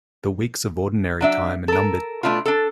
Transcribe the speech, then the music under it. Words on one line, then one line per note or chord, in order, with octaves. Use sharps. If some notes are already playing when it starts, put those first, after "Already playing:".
The weeks of Ordinary Time are numbered.
F#3 D4 E5
A4 A#4
B2 A3 D4 E4 F4
D4 A4